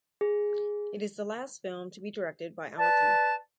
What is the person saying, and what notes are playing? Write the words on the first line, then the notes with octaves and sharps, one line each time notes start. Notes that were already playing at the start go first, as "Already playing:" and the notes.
It is the last film to be directed by Amateau.
G#4
B4 D5 A5